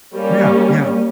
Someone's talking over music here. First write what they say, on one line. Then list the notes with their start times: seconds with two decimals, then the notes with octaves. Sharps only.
Yeah, yeah.
0.15 G3 A#3 C#4